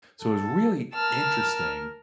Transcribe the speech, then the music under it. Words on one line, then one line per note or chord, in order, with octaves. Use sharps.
So, it's really interesting,
A4
A#4 A5 E6 F6